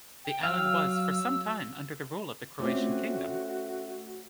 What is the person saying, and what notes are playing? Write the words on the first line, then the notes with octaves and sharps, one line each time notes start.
The island was for some time under the rule of the Croatian kingdom.
G5
F#3 F5 E6
A3 C4 C#4 F4 F#4 C5 D6